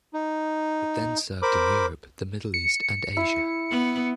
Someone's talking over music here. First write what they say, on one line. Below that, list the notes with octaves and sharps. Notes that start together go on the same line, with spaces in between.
It then served in Europe, the Middle East and Asia.
D#4
A#4 C5 B5 D6
C#7
E4
B3